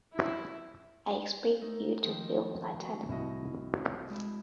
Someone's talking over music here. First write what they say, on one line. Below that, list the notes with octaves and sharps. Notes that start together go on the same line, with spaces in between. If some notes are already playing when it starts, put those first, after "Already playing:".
I expect you to feel flattered.
E4
A3 D#4
D#3 F3 G4
F#4
C2 E4 F#4 D#5
G#3 D4 E4